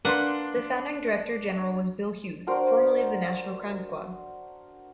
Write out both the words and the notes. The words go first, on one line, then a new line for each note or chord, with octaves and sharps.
The founding Director General was Bill Hughes, formerly of the National Crime Squad.
A#3 D4 B4 F#5 C6
D4 F#4 A#4 C5